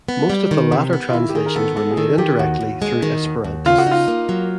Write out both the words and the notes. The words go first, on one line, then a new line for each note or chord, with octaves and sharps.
Most of the latter translations were made indirectly, through Esperantists.
B3
G3
D#3
C3
B3
F4
D#3 E4
G4
D#3 G#4
A#4
B3 A4
G#3 A4
G#4
D#3 A4
D#3 G4
D#2 F#4
D#2
G#3
D#3
D#2
D#2
C#3 F4
F#4
D#4 F4
A#3
F#3